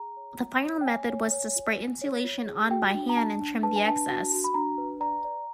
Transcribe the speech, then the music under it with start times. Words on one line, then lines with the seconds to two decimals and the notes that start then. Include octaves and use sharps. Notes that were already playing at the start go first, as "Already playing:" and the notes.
The final method was to spray insulation on by hand and trim the excess.
Already playing: G#4 A#5
0.17 C#5
0.41 F4
0.63 C#5
0.81 G5
0.86 C#5 G#5
1.09 C#5
1.32 C#5
1.56 F4
1.78 F4
2.02 C#5
2.24 F4
2.47 G#4
2.70 F#4 G5
2.94 D4
3.09 A#5
3.17 D4 A5
3.39 D4
3.63 B4 A5
3.76 G#5
3.86 D4 A5
4.09 F#4
4.32 F#4
4.44 B5
4.54 D4 A#5
4.78 B4
5.00 D5 A#5
5.24 D5